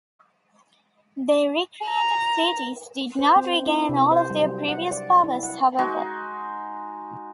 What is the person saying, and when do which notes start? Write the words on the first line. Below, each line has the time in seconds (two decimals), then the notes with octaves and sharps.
The recreated cities did not regain all of their previous powers, however.
1.87 A#5
3.19 C5
3.36 C4
3.66 E4
3.89 C3
4.11 C5
4.30 G3
4.43 F#3
4.68 F#5
4.91 D5
5.24 E4
5.43 F#5
5.79 G#3 D#4 F#4